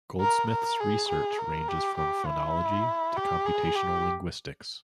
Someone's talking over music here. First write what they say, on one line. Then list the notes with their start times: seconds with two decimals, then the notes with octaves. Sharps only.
Goldsmith's research ranges from phonology to computational linguistics.
0.21 A#4
0.51 A#4
0.80 G#4
1.09 G#4
1.39 A#4
1.68 G4
1.98 G4
2.27 E4
3.17 G4
3.46 G#4
3.76 G4